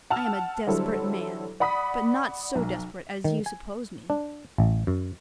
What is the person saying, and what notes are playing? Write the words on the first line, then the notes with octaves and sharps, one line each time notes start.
I am a desperate man, but not so desperate as you suppose me.
F#5 A5 E6 F6
D3 F#3 G3 E4 A4 C5
D5 F#5 B5 D#6 B6
B1
D#3
G#5
D4
A1
F#2